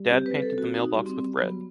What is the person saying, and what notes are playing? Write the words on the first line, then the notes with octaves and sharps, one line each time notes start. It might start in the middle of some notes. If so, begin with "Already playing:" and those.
Dad painted the mailbox with red.
Already playing: G3
C4 G4
B4
G3
A4
C4
F#4
D#4 F#4
G3
C4
G3
F#3 B3